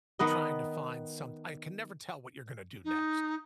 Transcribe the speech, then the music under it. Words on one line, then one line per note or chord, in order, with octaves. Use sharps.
trying to find some I can never tell what you're gonna do next.
D#3 B3 B4 D#5
D#4